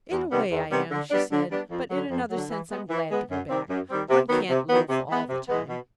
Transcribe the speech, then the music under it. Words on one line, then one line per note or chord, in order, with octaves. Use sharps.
"In a way I am," she said, "but in another sense I'm glad to go back. One can't loaf all the time."
E2
C3 D#3 G3 B3
E2
C3 D#3 G3 B3
D3
G3 B3 D4
D3
G3 B3 D4
F2
D3 F#3
F2
D3 F#3
E3
G#3 B3
E3
G#3 B3
F#2
D#3 G3 C4
F#2
D#3 G3 C4
C3
D#3 F#3 B3
C3
D#3 F#3 B3
C3
E3 G#3 B3
C3
E3 G#3 B3
B2